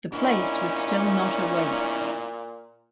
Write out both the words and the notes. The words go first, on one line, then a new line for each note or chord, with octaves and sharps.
The place was still not awake.
A#2 C#4 D4 E4